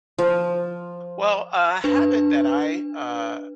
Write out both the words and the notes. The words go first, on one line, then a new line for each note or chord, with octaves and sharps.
Well, a habit that I, uh,
F3
D4 B4